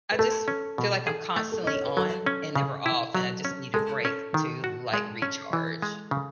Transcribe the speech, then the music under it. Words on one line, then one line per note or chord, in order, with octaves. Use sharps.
I just feel like I'm constantly on and never off, and I just need a break to, like, recharge.
B4
A3 A4
C#4
B2
G#4 A4
A3
A4
C#4 D#5
C#5
B4
F#3 A4
C#4
C#3
E4
F#3
C#4
G#3 A4
C#4
D#3
F#4
G#3
C#4
E3
G#3
C#3